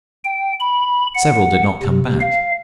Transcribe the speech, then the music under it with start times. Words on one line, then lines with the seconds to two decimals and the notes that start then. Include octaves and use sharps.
Several did not come back....
0.24 G5
0.60 B5
1.15 F#5
1.83 C3
2.21 F5